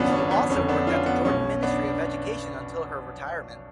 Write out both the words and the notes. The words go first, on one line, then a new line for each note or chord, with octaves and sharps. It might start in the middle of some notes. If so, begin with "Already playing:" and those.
She also worked at the Jordan Ministry of Education until her retirement.
Already playing: G#1 F#2 C#3 B3 C#4 D4 F4
C#4
B3
F1 F2 D3 C#4
B3 D4
C#4 F4
B3
B1 B2 C#4
B3 D4